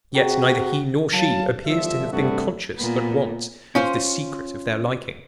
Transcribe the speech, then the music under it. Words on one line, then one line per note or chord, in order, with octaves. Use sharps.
Yet neither he nor she appears to have been conscious at once of the secret of their liking.
C3 F#4 G#4 G5 A#5
F#3 F5 A5
G1 F3 E5
G2 C3 G3 A3 B3 F#4
A#2 B3
C#4 F4 C5